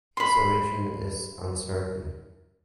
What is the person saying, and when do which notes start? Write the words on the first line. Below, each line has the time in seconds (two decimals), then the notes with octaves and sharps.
His origin is uncertain.
0.17 B5 C6